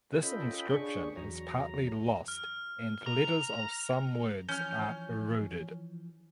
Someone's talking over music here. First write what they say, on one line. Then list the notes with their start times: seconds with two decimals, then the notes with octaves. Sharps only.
This inscription is partly lost and letters of some words are eroded.
0.23 C#4 F4 A4 D#5 G5 B5
0.71 D4 G#4 C#6
1.17 E2 F#3 A#5
2.28 F6
3.06 A#5
4.49 E3 F3 C#4 F6 G6